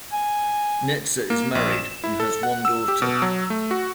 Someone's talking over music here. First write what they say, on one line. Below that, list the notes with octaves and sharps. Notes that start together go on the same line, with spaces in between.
Netzer is married and has one daughter.
G#5
A#3
A#1
E7
E4
A4
F#5
E6
G4
B2
F#3
A3
F#4